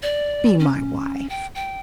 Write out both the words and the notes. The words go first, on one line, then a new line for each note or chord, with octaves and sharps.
Be my wife.
D5
C#4
G5
G5